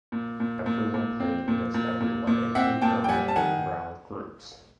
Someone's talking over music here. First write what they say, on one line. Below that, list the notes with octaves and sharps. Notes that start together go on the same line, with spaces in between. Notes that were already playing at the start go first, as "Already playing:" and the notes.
"Everyone plays against everyone" in two preliminary round groups.
A#2
A#2
A#2
A#2
C4
A#2
A#2
A#2
A#2
C4 E5 F#5
A#2 G5 A5
G5
G3 F#5 G#5
A5
D#3 F#5 G#5